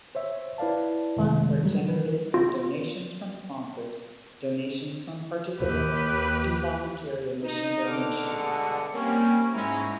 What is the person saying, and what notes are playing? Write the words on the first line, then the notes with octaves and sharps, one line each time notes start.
Funds are generated from donations from sponsors, donations from participants and voluntary admission donations.
C5 C#5 E5
E4 B4 D5 F5 A5
F#2 C3 D#3 G#3
F#3 G3
E3 B4
F4
D#2 G4 B4
D#4
D3 D6 F6
G2 B2 G#3 C#7
G3 A#3 C4 C#4
G#2 G#3 C#4 E4 A#5